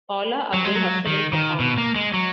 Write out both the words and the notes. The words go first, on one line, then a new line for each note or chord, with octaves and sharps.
Paula Abdul hosted and performed.
F#3
G#3
F#3
D#3
D#3
B2
A#3
G#3
F#3